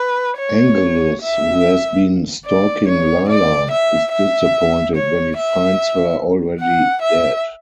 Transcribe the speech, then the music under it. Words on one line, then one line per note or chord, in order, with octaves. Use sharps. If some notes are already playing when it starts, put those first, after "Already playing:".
Angelus, who has been stalking Lilah, is disappointed when he finds her already dead.
Already playing: B4
C#5
E5
D5
C#5
D5
E5
E5
C#5
E5
F#5
E5